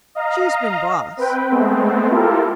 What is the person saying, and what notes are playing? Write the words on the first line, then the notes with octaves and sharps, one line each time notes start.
She's been boss.
D#5 F5 A#5
C4 B4 G5
G#3 A3 B3 C4
E4 F4 G4 A4 A#4